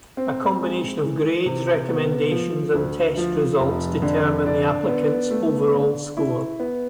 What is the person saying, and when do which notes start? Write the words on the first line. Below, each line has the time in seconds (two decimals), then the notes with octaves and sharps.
A combination of grades, recommendations, and test results determine the applicants' overall score.
0.17 C4
0.61 G#3
1.04 E3
1.46 C3
1.89 B3
2.31 F3
2.74 D2
3.17 F3
3.60 F1
4.02 D3
4.46 D4
4.88 B3
5.31 A3
5.74 D3
6.17 E4
6.60 B3